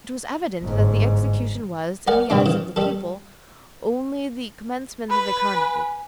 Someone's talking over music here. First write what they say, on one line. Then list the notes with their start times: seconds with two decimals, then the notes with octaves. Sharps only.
It was evident that the execution was, in the eyes of the people, only the commencement of the Carnival.
0.61 G1 G#2
2.07 A#4 D5 F#5 G#5
2.30 G2 C3 G3 D4 D6
2.46 C#3 E3
2.76 G3 A4
5.10 B4 B5
5.54 G#5